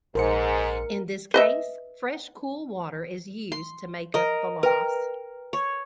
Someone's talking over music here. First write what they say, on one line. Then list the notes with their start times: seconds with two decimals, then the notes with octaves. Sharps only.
In this case fresh cool water is used to make up the loss.
0.15 A#1 G#2 A#4 C5 C#7
1.34 B4 D#5 E5
3.52 C6
4.14 A#4 D#5
4.63 A#4 B4 G5
5.53 C#5